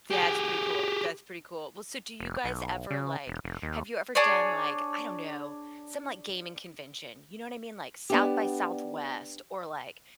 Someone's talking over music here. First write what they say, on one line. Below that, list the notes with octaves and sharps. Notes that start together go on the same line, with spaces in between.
That's pretty cool, that's pretty cool. Well, so, do you guys ever, like have you ever done, like, I don't know, some, like, gaming convention, you know what I mean? Like, SXSW or, like,
G4 G#4
F1
B1
C#3
E1
F1
D#2
D4 G#4 C#5 D5
B3 D4 G4